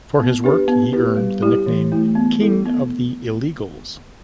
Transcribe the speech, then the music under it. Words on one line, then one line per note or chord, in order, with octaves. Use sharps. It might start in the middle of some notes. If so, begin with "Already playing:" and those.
For his work he earned the nickname "King of the Illegals".
B3
D4 G4 B4
B3
E4 G4 B4
G3
E4 G4 D5
E3
A3 E4
B3
E4 A4
B3